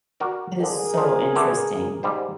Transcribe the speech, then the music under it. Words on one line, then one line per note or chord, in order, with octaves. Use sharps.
It is so interesting.
F#4 A#4 D5
F2 D3 G#4 A#4
F3 D#4
D3 A3 B3
G#2 G3 C5